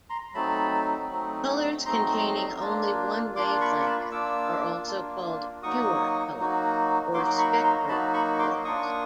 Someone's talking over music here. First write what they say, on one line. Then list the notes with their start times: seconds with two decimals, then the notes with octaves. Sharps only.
Colors containing only one wavelength are also called pure colors or spectral colors.
0.10 A#5 C6
0.34 F#3 A3 C4 D#4 A5 B5
1.10 F#3 A3 C4 D#4
1.85 F#3 A3 C4 D#4 A#5 C6
2.60 A#3 D4 F4
3.36 A#3 D4 F4 C6 D6
3.61 B5 C#6
3.86 A5 B5
4.11 A#3 D4 F4 D6 E6
4.88 A#3 D4 F4
5.62 F#3 A#3 D#4 F#4 C#6 D#6
6.37 F#3 A#3 D#4 F#4
7.14 F#3 A#3 D#4 F#4 C6 D6
7.38 B5 C#6
7.64 A#5 C6
7.88 F#3 A#3 D#4 F#4 A5 B5
8.14 B5 C#6
8.39 C6 D6
8.64 A#3 D4 F4 C#6 D#6